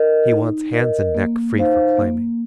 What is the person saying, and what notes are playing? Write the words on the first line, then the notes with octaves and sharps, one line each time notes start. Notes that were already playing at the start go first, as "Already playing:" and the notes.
He wants hands and neck free for climbing.
Already playing: A#4 D#5
D#4
A#4 D#5
A#3
D#4 C5 F5
A#3